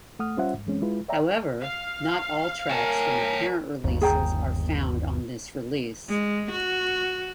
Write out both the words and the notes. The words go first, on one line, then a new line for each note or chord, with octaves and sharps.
However, not all tracks from the parent releases are found on this release.
D#2 A3 F#5 D#6 F6
G3 C#4 F4 C5 E5 F#5
G#2
F#2 E3 G#3 C4 C#4
G#3 E4 F4 B4
C#5 D5 E5 G5 A#5
F5
A#4 C#5 G#5 A5
G1 D#2
G#4 G5 A#5
G#3
F#4